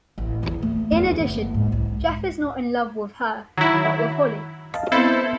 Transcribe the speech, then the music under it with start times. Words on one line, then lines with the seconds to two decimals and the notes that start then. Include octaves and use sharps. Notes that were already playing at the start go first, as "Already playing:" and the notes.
In addition, Jeff is not in love with her but with Holly.
0.18 A1
0.43 E2
0.62 A3
0.92 E2
1.20 F#1
1.54 G#2
1.72 C2
3.57 D#3 F#3 E4
4.74 D#5 F5 A5
4.92 B3 C4 E4 A4 C5